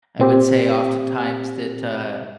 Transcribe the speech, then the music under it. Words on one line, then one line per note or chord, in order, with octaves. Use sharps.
I would say oftentimes that, uh,
A#2 C4 G4